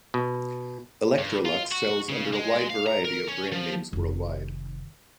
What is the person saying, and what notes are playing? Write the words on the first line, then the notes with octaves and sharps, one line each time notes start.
Electrolux sells under a wide variety of brand names worldwide.
B2
G2
F4
F#4
C#3
G#3
F5
A#5
A#4
C#4
F3
F1 D#3